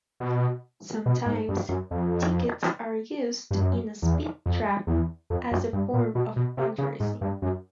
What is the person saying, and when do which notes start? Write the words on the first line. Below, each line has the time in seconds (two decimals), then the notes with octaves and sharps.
Sometimes tickets are used in a speed trap as a form of fundraising.
0.20 B2
1.06 B2
1.26 G#2
1.48 G2
1.69 F#2
1.91 F2
3.51 G2
3.60 F#2
4.02 E2
4.46 F2
4.87 E2
5.30 F2
5.51 F#2
5.73 G2
5.93 A#2
6.15 B2
6.36 B2
6.57 C3
6.78 C#3
7.00 G#2
7.21 G2
7.42 F#2